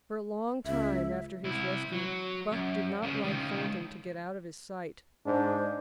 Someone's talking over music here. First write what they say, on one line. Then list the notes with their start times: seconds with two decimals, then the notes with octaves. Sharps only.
For a long time after his rescue, Buck did not like Thornton to get out of his sight.
0.66 C#2 E5
1.44 C2 E4
1.93 F#3
2.52 F#2
3.02 C#2 C#3
3.24 C#2 D#3
5.26 G#2 D4 C5